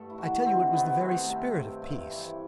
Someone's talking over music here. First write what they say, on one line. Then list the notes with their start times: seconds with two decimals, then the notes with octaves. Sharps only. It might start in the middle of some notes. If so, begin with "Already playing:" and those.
I tell you it was the very spirit of peace.
Already playing: G2 A3 A4
0.10 E4
0.18 D#3 F#4
0.46 C3 C4
0.73 D#3 B3
1.00 A3 C4
1.28 C3
1.55 G2
1.82 G2
2.09 E3